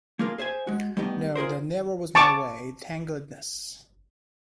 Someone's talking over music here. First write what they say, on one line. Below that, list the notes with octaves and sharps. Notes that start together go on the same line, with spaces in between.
No, that never was my way, thank goodness.
A3 A#3 F4 G#4 A#4
G#4 C5 E5 G#5
G#3 F#4
G3 A3 B3 D#4 G4 D#5
F4 G#4 A#4 C5
A5 C#6 D6